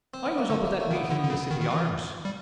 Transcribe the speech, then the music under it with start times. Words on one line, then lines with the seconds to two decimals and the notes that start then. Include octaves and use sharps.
I was up at that meeting in the City Arms.
0.14 C4
0.26 B3
0.38 A#3
0.50 D3 A3
0.65 A#3
0.80 A3
0.91 D#3
0.94 B3
1.09 D3 B3
1.24 D3
1.30 C#3
1.51 D#3
1.61 D#3
1.71 E3
2.25 G3